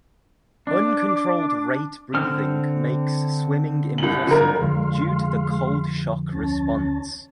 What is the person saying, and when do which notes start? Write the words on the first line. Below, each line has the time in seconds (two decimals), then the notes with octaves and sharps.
Uncontrolled rate breathing makes swimming impossible due to the cold shock response.
0.67 D4 D6
2.14 D3 C4 F6
3.98 C2 F#7
4.27 G1 A#4
4.61 F2 D3 G#3 F5 C6
6.32 D2 C#4 A5